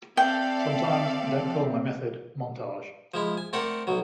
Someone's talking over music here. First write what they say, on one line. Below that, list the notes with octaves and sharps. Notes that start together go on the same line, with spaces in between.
Sometimes I don't call my method 'montage'.
C4 A4 D5 E5 F5 G5
F3 G#3 E4
G#5
A3 C4 A4 A#4 D5 F#5
B1 F#3